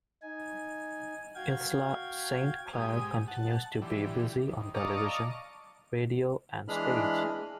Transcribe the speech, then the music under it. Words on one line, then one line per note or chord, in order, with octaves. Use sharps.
Isla Saint Clair continues to be busy on television, radio and stage.
D#4 G#5
F#4 F5 G5 G#6
G#2 G4 G#5 D#6
F#5 A5
D3 E3 G3
D#2
D5 D#5 F5 A5 A#5 C#6
E3 G#3 D4 G#4 B5 F6